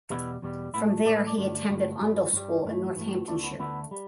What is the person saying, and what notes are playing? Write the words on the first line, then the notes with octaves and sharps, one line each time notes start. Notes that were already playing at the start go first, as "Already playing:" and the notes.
From there he attended Oundle School in Northamptonshire.
E2 B2 G3 B3 E4
E2 B2 G3
A2 A3 B3 E4
A2 A3 A4 D5
B4 E5
A4 D5
G2 D3 A3 D4
G2 D3 A3
G2 G3
G2 G3
G2 E3 A3
G2 E3 A3
D2 D3 A3 D4
B3
D2 D3 A3 B3 E4
G3